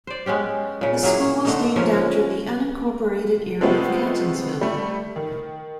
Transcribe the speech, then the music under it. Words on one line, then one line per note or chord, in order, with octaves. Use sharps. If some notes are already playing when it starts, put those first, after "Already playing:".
The school was named after the unincorporated area of Catonsville.
C5 D5
G#3 B3 C#4 G4
A#2 C#3
F#3 A#3 E4 G#4
D3 A3 D#4
C#3 F3 A#3 C#4
C3 F3 G#3 A3 B3 C4
G3 A3
D#3